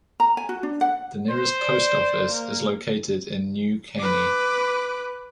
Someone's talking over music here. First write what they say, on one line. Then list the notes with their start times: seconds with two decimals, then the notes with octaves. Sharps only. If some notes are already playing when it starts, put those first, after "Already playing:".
The nearest post office is located in New Caney.
0.20 A#5
0.37 G#5
0.49 F#4
0.63 D4
0.81 F#5
1.30 C5
1.60 D5
2.30 A#3
3.99 B4 D6